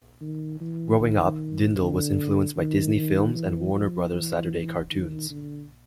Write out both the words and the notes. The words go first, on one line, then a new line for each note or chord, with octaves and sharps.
Growing up, Dindal was influenced by Disney films and Warner Brothers Saturday cartoons.
D#3
E3
D#3
D3
D#3
D#3
E3
F3
E3
D#3
D3